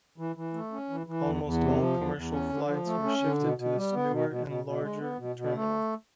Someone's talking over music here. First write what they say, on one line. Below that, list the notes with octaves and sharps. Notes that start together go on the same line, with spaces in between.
Almost all commercial flights were shifted to this newer and larger terminal.
E3
E3
A3
C#4
E3
E3
E2
E2
C3
F3
E2
E2
C#4
D3
F3
A3
C#4
D3
B2
B2
G3
B3
B2
B2
B2
B2
G#3
B3
B2
B2
A3